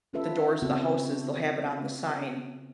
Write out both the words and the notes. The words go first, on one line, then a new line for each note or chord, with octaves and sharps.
the doors of the houses, they'll have it on the sign,
C#4 F4 A4 B4 E5
C#3 B3 C4 E4 F#4 A4